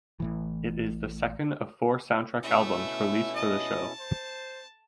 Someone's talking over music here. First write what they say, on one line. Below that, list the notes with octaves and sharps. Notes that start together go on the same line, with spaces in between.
It is the second of four soundtrack albums released for the show.
A1 A2 E3
B2 A3 C#4 E4 E5
D#5 A5
C5